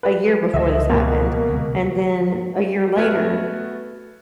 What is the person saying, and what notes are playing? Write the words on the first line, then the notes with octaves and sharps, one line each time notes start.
a year before this happened. And then a year later,
B4
C#2 D3 E3 D#5 E5
B2 A#3
D2 C3 G#3
A3 B3 F#4 F6 G#6